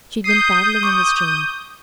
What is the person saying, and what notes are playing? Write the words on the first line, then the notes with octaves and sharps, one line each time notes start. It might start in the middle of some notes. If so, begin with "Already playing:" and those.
She'd been paddling in the stream.
D#6 G6 C7
C#6 D6